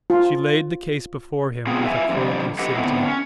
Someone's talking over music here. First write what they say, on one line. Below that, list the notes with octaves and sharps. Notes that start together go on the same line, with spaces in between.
She laid the case before him with a cold lucidity.
F4
B3 C4 F4 G#4
E4 F4 E5 G#5
F2 D3 G3
G4 A4 B4 D#5 F#5
D3 B3 C4 E4
C#4